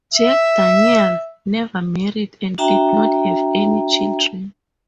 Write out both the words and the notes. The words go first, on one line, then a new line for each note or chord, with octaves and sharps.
Jack Daniel never married and did not have any children.
E5
D4 F#4 E5 G5 A5 A#5